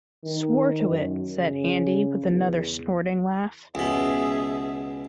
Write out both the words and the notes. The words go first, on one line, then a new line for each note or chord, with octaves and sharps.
"Swore to it," said Andy with another snorting laugh.
D#3
F#2
C#3
E2
C#2 B2 G#4 E5